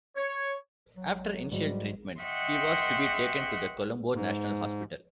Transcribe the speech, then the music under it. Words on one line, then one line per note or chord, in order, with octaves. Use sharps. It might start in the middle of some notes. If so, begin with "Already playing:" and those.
After initial treatment, he was to be taken to the Colombo National Hospital.
C#5
F#3
G#2 F#3 G3
D#5 E5 F#5 G5 C6 C#6
G#2